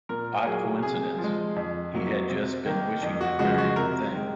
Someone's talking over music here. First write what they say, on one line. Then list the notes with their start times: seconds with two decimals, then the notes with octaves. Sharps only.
Odd coincidence — he had just been wishing that very thing.
0.09 A#2 A#4
0.46 F#3 A#3 G#4
0.83 C3 G#4
1.19 F3
1.24 G#3
1.56 F2
1.93 C3 F#3 A#3
2.29 C3
2.66 D#3 A#3
3.03 F2
3.21 F#4
3.39 C#3 F3 G#3 F#4
3.58 F#4
3.76 C3 A#4
4.13 D#3 G#3